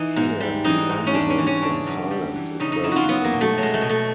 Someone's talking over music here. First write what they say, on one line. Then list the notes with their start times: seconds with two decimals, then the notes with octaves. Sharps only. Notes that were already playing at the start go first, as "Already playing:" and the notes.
Here the argument from silence is very convincing.
Already playing: E3 D#4
0.16 G#2
0.41 G3
0.64 E3 D#4
0.90 G#2
1.07 C#4
1.14 G3 D4
1.30 C#4
1.38 E3
1.47 C#4
1.62 C#3 D4
1.87 F#2
2.11 G3
2.35 E3
2.60 C#3 D#4
2.72 D#4
2.84 F#2 E4
2.92 F4 F#4
3.09 F#3 B3
3.24 A#3
3.33 B2
3.41 A3
3.58 F#3
3.63 G#3
3.74 A3
3.81 B2
3.89 A3